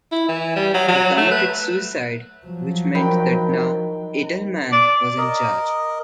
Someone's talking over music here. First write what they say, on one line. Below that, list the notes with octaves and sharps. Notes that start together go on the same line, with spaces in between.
He committed suicide, which meant that now Edelman was in charge.
E4
E3
G3
F#3
F#3
A3
B4
F3 F#3
D#3 G5 B5
D5
A#4 D#5